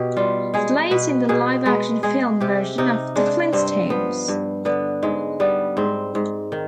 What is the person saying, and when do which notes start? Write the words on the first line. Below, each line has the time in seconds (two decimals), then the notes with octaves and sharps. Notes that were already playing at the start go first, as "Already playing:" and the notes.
Slate in the live-action film version of "The Flintstones".
Already playing: B2 G4
0.17 G3 F4
0.54 G#3 G#4
0.91 B2 B4
1.29 B2 G#4
1.66 G#3 B4
2.03 G#3 G#4
2.41 C3 G4
2.78 C3 D#4
3.15 G#3 D4
3.53 G2 C4
3.90 F3 B3
4.28 G2
4.65 D3 B3
5.03 G#2 G#3
5.40 G3 B3
5.77 G#2 C4
6.15 G#2
6.52 D#3